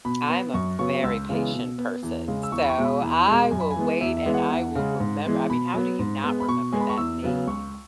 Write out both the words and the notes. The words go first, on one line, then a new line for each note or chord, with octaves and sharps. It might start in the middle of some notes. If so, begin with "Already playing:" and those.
I'm a very patient person, so I will wait and I will remember I mean, how do you not remember that name?
B2 B5
B3
F#2 C#6
C#3 F#3 B3 C#6
C#2 E6
C#3 E3 G#3 B3
B2
B3
E2
C#3 G#3
E6
E2 C#6
B5
C#6
B2 G#3
B5
E2
B2 G#3
F#2 G#5
B5
G#5
E3 G#3 B3
E2 E5
E5
E3 G#3 B3
F#5
E2
C#3 G#3
G#2
E3 G#3 B3
B2 B5
F#3 B3
G#2
G#3 B3
B5
B2 C#6
G#3 B3 G#5
B5
C#6
E2 E6
C#3 F#3 B3
C#2 C#6